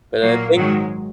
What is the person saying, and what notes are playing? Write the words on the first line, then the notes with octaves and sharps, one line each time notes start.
But I think
A#2 F#3 A#3
G#2 D#3 F#3 G#3